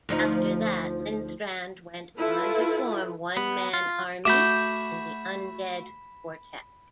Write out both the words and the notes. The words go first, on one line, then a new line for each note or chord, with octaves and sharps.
After that, Lindstrand went on to form One Man Army and the Undead Quartet.
D2 F3 D#4
E4 F4 A4 B4
B3
F4
A3 F#4 B5 D6 G6 B6 E7